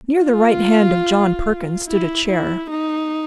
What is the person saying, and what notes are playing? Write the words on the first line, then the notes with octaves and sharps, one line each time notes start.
Near the right hand of John Perkins stood a chair.
F4
E4
E4
D#4